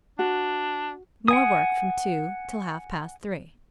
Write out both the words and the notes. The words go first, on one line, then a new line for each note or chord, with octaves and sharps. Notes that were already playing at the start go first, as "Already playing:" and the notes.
More work from two till half past three.
D4 F#4
F#5 G#5 D#6